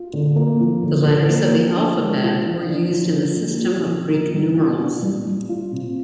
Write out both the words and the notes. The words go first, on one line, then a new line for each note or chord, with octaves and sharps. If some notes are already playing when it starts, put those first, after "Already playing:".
The letters of the alphabet were used in the system of Greek numerals.
Already playing: F4
D3
A#3
F3
D3
D3
A#3
F3
D4
G#3
F4
F3
D4
F3
D#4
A#3
F3
F3
D#4
G3
F4
D4
G3
G3
F4
C3